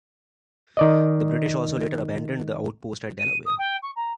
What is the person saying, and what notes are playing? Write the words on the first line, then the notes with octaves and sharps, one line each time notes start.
The British also later abandoned the outpost at Delaware.
D#3 D5 D#5
D#7
D#6
G5
C#6
A#5